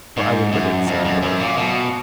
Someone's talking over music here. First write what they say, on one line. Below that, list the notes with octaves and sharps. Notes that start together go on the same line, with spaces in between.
For I would wit it, said the dwarf.
G#2
F#2
F2
F#2
F#2
A#2
B2